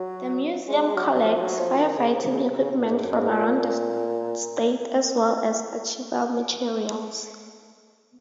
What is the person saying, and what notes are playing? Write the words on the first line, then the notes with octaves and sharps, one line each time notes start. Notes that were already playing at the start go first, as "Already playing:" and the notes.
The museum collects firefighting equipment from around the state as well as archival materials.
Already playing: F#3
G#3
G#3
F#3
F#3
F3
F3
F#3
F3
D#3
C#3
C3
C#3
C3
C#3
C3
A#2
G#2
F#2
G#2
A#2